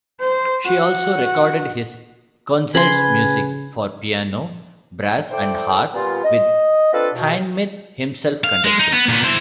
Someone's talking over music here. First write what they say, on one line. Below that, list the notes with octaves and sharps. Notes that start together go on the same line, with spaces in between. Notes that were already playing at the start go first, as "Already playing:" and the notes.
She also recorded his Konzertmusik For Piano, Brass and Harp with Hindemith himself conducting.
C5
F#4
C#3 B4 G#5 B5 C6
E4 A4 C5 D5 G5
A#2 G3 B3 C#4 F4
D#5
C4 D4 F4 A4 B4
E2 B2
F5
G#3
D#4
B3
A#2 B3
E4 C5